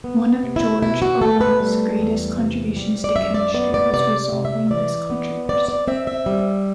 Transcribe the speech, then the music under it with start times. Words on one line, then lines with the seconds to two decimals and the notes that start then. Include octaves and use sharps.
One of George Olah's greatest contributions to chemistry was resolving this controversy.
0.04 B3
0.43 C3
0.56 E4
0.82 B2 E4
1.02 F#4
1.21 A3 A4
1.41 B4
1.60 G3
1.99 E2
2.38 C3
2.77 G3
3.04 D5
3.15 F#2 E5
3.34 D5
3.54 B3 D5
3.74 D5
3.93 C3 D5
4.32 C3
4.45 E5
4.71 E3 D5
5.10 B3
5.49 C4 D5
5.68 D5
5.88 C4 E5
6.07 E5
6.26 G3